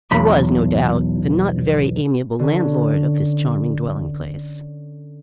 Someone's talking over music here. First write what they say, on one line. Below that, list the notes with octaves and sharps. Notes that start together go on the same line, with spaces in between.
He was, no doubt, the not very amiable landlord of this charming dwelling-place.
B1 E2 B5
D3 C#4